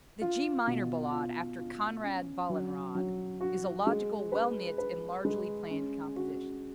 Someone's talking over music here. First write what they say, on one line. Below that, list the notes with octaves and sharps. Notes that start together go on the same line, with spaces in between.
The G minor Ballade after "Konrad Wallenrod," is a logical, well knit and largely planned composition.
F4
B2
F4
F4
C#4
F#3
F#3
F#4
G#3
B4
B4
G#3
C#4
F#4